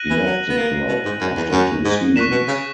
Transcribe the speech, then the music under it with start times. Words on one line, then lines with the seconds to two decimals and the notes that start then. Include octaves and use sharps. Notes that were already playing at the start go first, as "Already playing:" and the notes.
He left the club after two seasons.
Already playing: F#6 A#6 D#7 F#7
0.10 E3
0.25 F#3
0.50 B3
0.57 A#3
0.88 B2
1.05 G#2
1.21 F#2
1.37 E2
1.52 F#2
1.85 G#2
2.16 A#2 C#6 F#6 B6 E7
2.31 B2
2.48 C#3